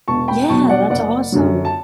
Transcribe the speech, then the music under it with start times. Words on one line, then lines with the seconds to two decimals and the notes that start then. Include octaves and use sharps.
Yeah, that's awesome.
0.08 E1 A5 C#6
0.28 G5 B5
0.48 E2 B2 F#3 A5 C#6
0.69 D5 F#5
0.90 F#1 D5 F#5
1.32 F#2 D3 F#3
1.65 A5